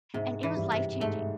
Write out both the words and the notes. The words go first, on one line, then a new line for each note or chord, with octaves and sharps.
and it was life-changing.
G#2 C3 G#3
E3
G2 G3
C3
G#2 G#3 A3